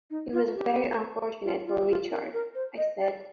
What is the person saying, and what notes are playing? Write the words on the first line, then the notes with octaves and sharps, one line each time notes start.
It was very unfortunate for Richard, I said.
D#4
F4
G4
F4
F4
F4
A#4
A#4
C5
D#5
D5